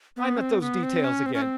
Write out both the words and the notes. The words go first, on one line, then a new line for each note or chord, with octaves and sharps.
I'm at those details again.
B3
C#4
C4
B3
C4
C#4
C4
C#4
C4